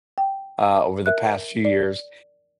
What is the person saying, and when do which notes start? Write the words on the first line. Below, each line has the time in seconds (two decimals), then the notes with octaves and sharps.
uh, over the past few years,
0.18 G5
1.06 A#4 E5 F#6
1.65 D5